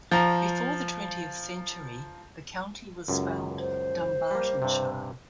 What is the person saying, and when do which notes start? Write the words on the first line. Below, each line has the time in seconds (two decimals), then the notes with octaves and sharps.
Before the twentieth century, the county was spelled Dumbartonshire.
0.11 F3 A#5
3.08 C#2 F#2
3.59 C5
4.31 G3 A#3
4.62 G2 C3